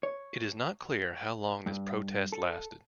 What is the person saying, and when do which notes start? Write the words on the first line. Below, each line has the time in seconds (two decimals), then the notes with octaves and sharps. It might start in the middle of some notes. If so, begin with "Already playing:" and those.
It is not clear how long this protest lasted.
0.03 C#5
1.66 G2
2.32 A4